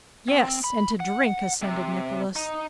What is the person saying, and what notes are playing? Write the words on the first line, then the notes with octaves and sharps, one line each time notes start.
"Yes, and to drink," assented Nicholas.
C4
B5
F#5
C3
D#4